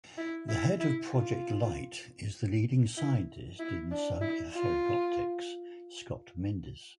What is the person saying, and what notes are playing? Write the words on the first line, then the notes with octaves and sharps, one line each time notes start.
The head of Project Light is the leading scientist in sub-etheric optics, Scott Mindes.
E4
E4
E4
F4
E4
E4
D4
E4
F4